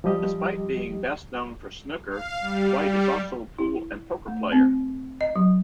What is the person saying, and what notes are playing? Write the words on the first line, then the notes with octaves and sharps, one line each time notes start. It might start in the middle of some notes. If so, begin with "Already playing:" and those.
Despite being best known for snooker, White is also a pool and poker player.
F3 G3 G4 D#5
F5
G3
G3
E4
A3
C4
D#5
F#3